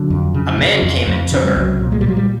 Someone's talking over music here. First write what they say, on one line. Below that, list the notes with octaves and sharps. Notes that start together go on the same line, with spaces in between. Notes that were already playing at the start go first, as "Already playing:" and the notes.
A man came and took her.
Already playing: D3 F#3
F2
C#3
C#3
F2
F2
C#3
G3
C2 F#3
A#2
G#3
G3
A#2 F#3
G3